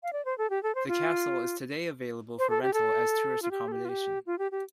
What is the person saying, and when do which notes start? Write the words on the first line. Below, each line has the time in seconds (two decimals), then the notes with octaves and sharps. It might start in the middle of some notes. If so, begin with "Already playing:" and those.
The castle is today available for rental as tourist accommodation.
0.03 F5
0.13 D5
0.25 C5
0.38 A4
0.50 G4
0.63 A4
0.75 C5
0.88 F4
2.39 C5
2.50 A4
2.62 G4
2.74 A4
3.42 F4
3.51 G4
3.68 A4
3.72 G4
3.85 F4
3.89 G4
4.27 F4
4.39 G4
4.52 G4